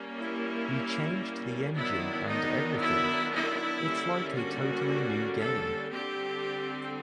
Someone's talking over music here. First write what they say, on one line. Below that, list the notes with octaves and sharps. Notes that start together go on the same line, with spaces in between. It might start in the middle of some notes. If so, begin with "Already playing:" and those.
We changed the engine and everything, it's like a totally new game.
Already playing: G3 A#3 C#4
E4
D#3 F#3 B3 D4 E4
D#4
E4
E4
D3 G3 A#3 C#4
F#4
A4
D3 G3 C4 G4